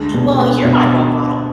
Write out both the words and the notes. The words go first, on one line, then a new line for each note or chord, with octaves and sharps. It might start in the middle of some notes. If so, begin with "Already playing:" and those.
"Well, you're my role model"
Already playing: D2 G#3
B2
B3
B2